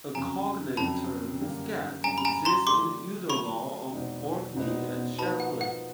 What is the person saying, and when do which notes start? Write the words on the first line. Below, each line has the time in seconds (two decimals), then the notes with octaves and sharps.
A cognate term, "skat", exists in the udal law of Orkney and Shetland.
0.15 F2 C#3 F#3 G#5 A#5
0.77 F2 C#3 F#3 A5 B5
1.41 F#2 D3 G3 A#3
2.04 F#2 D3 G3 A#3 G#5 A#5
2.18 B5
2.25 G#5 A#5
2.45 A#5 C6
2.67 D3 F#3 A3 D4 G4 C6 D6
3.30 D3 F#3 A3 D4 G4 B5 C#6
3.93 E2 B2 G#3 C4 D#4
4.56 E2 B2 G#3 C4 D#4
5.19 F3 A#3 D#4 F#4 B4 A5 B5
5.40 F#5
5.61 F#5